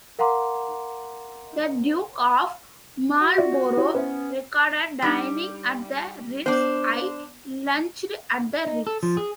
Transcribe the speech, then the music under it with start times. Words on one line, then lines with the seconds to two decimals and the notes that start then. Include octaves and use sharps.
The Duke of Marlborough recorded dining at the Ritz; I lunched at the Ritz.
0.19 A#4 F5 F#5 A#5 C6 D6
3.20 F#4
3.38 F4 D5 E5
3.77 E4 G4 C#5
3.95 B3 C#4 B4 C5 E5
5.02 G3 D4 D#4 G5
6.46 B3 D4 C5
8.66 D#4
8.87 A4
9.03 F3
9.17 G#4